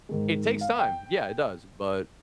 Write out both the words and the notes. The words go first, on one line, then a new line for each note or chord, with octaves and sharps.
it takes time. Yeah, it does. But,
G#2 D#3 G#3
F5
G5